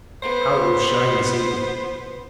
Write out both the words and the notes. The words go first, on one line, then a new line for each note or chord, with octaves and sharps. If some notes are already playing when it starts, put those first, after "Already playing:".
"How it will shine this evening!"
B3 C5